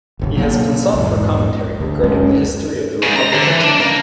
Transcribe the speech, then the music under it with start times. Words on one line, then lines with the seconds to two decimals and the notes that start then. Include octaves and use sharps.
He has been sought for commentary regarding the history of the Republic of China.
0.19 D1 G1 C2
0.36 B2 F#3 A3 A#3
0.93 A#1 E2 G#2
1.80 D2
2.04 D1 F#2 G#3 C#4
3.03 G#2 C#3
3.16 A#5
3.34 D3
3.47 E3
3.64 D4
3.80 A#3